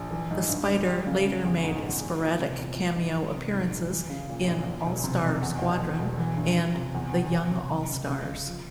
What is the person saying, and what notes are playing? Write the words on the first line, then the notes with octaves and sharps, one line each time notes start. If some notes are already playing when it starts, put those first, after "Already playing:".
The Spider later made sporadic cameo appearances in "All-Star Squadron" and "The Young All-Stars".
Already playing: A#1
E3
G#2
G2
G1
G3
C#3
C#3
E2
G#2
A#1
G#3
A#2
C3
E2
F3
G#2
E3
C3
G#2
A#1
E3
C#3
A#2
A#1
E2
E1
C3
F2
E2
E1
E2
E1
E3
G2
F3
C3
E2
E1
E3
C3
C3
C#2
C#3
C#2
F3